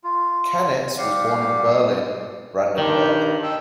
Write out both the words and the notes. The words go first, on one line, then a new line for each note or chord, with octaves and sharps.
Canitz was born in Berlin, Brandenburg.
F4
G3 G4 F5 F#5
G2 D#3 G4 A#4
D#5 G5 E6